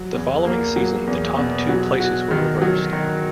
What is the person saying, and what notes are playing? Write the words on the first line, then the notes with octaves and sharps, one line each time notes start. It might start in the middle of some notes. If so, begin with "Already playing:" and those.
The following season the top two places were reversed.
Already playing: F#3
E2
A#3
F#3
E2
B2
F#3
F#4
D#3
F#3
D#3